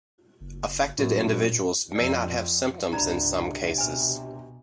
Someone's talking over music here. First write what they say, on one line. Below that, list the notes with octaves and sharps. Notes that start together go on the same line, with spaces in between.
Affected individuals may not have symptoms in some cases.
F#1
F#2 A2
A#2
F2 D5 E6
C#2 G#2 C3 D4 A#5 B5 G#6
B2 B4 G#5